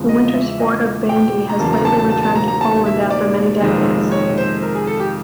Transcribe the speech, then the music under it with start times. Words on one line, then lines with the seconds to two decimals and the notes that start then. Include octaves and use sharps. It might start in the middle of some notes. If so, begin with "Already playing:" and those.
The winter sport of bandy has lately returned to Poland after many decades.
Already playing: E2 C#3 F3 G#3
0.09 D#5
0.29 D#5
0.34 E5
0.48 E5
0.59 D#5
1.09 G5
1.49 A#5
1.59 E2 C#3 F#3 A#3 A5
1.73 A#5
1.85 A5
1.98 A5
2.10 A5
2.23 A5
2.35 A#5
2.48 A#5
2.61 A5
2.86 E5
3.11 D5
3.61 F2 C3 D#3 G#3
4.12 C#5
4.38 C5
4.62 A#4
4.75 G#4
4.87 A4
5.00 G4